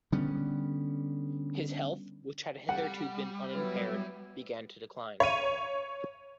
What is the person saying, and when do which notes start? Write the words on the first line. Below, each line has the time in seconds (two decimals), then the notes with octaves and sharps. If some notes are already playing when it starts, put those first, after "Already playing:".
His health, which had hitherto been unimpaired, began to decline.
0.12 D3 G3 B3 C#4
2.69 G3 F#5
3.53 F#3 B3 E4 B4
5.20 C#5 D#7